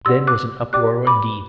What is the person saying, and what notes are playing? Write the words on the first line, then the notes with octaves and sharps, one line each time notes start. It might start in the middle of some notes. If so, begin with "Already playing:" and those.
Then was an uproar indeed.
G4 D5 F#5 C6 E6
D6 F#6
G4 D5 G5 D6 F#6
B5 D6